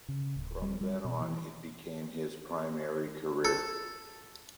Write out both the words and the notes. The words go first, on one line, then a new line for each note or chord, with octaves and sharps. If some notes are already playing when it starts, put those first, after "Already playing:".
From then on, it became his primary career.
C#3
D1
G3
G3
B2
E3
A4